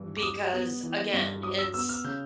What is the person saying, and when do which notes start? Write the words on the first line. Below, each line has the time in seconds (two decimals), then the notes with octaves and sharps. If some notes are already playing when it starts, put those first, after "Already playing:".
because, again, it's
Already playing: G2 E3
0.17 D6
0.22 G3 D#6
0.53 B3
0.83 E3
1.13 G2
1.43 F#3 D#6
1.59 E6
1.74 B3 E6
1.89 F6
2.04 C#3 G6